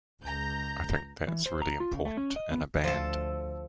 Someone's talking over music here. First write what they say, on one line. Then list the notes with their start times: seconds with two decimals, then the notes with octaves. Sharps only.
I think that's really important in a band.
0.23 C#2 A#5 G6
1.28 E3
1.46 C5
1.62 A#5
1.80 F4
1.92 C#3
2.05 A3
2.17 C#4
2.36 D#5
2.51 B3
2.84 D2 F3 A4